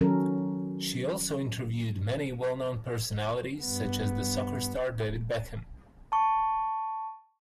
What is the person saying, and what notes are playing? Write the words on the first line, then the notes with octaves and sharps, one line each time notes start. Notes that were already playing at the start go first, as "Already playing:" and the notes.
She also interviewed many well known personalities such as the soccer star David Beckham.
D#3 F#3 C#4 A4 A#4
G2 B3
A5 C#6